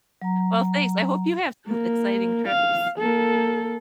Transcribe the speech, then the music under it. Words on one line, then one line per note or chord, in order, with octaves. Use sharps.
Well, thanks, I hope you have some exciting trips,
F#3 A#5
A#3
F5
A#3 A4